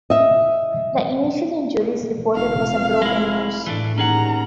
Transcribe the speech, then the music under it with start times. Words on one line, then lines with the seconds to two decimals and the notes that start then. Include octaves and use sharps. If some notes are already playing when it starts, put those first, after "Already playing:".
The initial injuries reported was a broken nose.
0.10 D#5 E5
2.35 F1 F5
3.02 G#3 E4
3.67 A2 E3 A3 D4
3.98 D#2 C#4 G#4 F#5 A#5